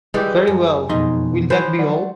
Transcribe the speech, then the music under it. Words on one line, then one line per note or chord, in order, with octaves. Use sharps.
Very well, will that be all?
E3 G3 G#3 G4
F#2
F2 B2 D#4 D#5 C6
E3 F3 C5
F#3 D5 F#5